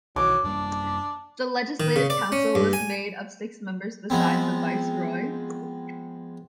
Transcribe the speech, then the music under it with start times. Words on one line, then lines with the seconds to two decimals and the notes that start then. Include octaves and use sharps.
The Legislative Council was made of six members besides the Viceroy.
0.16 B1 D#3 E3 F#3 D6
0.44 F#2 G3 A#3 D4
1.80 D#3
1.96 C#3
2.10 D5
2.32 C#4
2.55 G2
2.73 G#5
4.10 F3 G#3 B3 C4